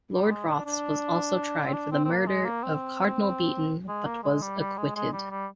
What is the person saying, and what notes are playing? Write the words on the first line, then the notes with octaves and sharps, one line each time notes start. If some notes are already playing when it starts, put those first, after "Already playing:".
Lord Rothes was also tried for the murder of Cardinal Beaton but was acquitted.
G3
G#3
D4
D4
C4
D4
C4
C4
A#3
G#3
A#3
C4
G#3
A#3
G#3
G3
G3
G#3
G#3
G3
G3